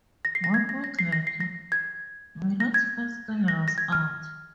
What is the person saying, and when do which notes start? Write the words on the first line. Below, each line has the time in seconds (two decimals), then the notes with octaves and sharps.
One month later, Mina's first single was out.
0.25 A#6
0.35 C7
0.44 A#6
0.54 G#6
0.69 A#6
0.84 A#6
0.99 C7
1.12 A#6
1.27 C7
1.40 A#6
1.72 G#6
2.60 A#6
2.74 G#6
3.48 A#6
3.68 A#6
3.78 G#6
3.92 F6